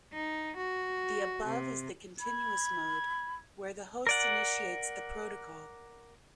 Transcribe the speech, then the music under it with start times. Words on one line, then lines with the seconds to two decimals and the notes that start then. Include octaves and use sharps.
The above is the continuous mode, where the host initiates the protocol.
0.13 D#4
0.57 F#4
1.46 C3
2.20 B5 G#6
4.07 A#4 D5 F#5